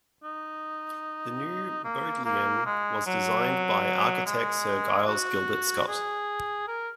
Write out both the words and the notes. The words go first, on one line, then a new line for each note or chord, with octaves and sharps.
The New Bodleian was designed by architect Sir Giles Gilbert Scott.
D#4
A#3
A#3
G#3
F#3
G#3
F#4
G#4
A#4